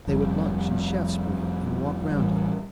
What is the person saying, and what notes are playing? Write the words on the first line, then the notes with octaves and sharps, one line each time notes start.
They would lunch in Shaftesbury and walk round it.
F1 G3
A1 G3